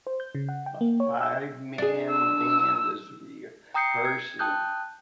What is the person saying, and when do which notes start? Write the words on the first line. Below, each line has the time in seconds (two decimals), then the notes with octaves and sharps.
A five man band is rehearsing.
0.07 C5
0.20 G6
0.35 C#3
0.49 F#5
0.66 G5
0.81 A#3
1.00 C#5
1.21 E6
1.78 D4 G#4
2.10 E6
3.74 G5 A#5 D#6 G6 C7 C#7
4.05 G#6
4.39 G5 A5 D#6 F#6 G6